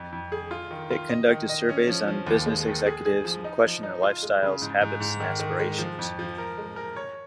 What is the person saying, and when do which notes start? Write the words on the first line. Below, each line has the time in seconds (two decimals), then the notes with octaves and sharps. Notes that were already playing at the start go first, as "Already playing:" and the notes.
It conducted surveys on business executives and questioned their lifestyles, habits and aspirations.
Already playing: F2
0.12 F2
0.32 G#4
0.51 F4
0.71 D#3
0.91 F4
1.09 D#5
1.29 D#3
1.49 D#5
1.69 C#4
1.87 F3
2.08 F3
2.27 D#2
2.46 G#3
2.66 D#3
2.86 G#4
3.05 G#4
3.25 F3
3.44 D#4
3.65 F3
3.83 D#4
4.03 F4
4.23 G#3
4.42 C#3
4.62 G#2
4.81 G#2
5.00 G#2
5.20 D#3
5.39 D#3
5.59 G#3
5.79 F3
5.99 F2
6.19 F3
6.38 A#4
6.58 G#3
6.76 A#4
6.96 C#5